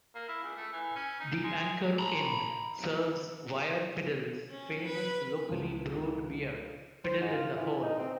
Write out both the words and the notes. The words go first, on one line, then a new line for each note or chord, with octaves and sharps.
The Anchor Inn serves Wyre Piddle's famous locally brewed beer 'Piddle in The Hole'.
A#3
E4
C#2
A3
E3
C#4
D#4
G#3
A#5 B5
C#4
B4
C#2 F3
C5
G#2
F4
E3
D#4
C4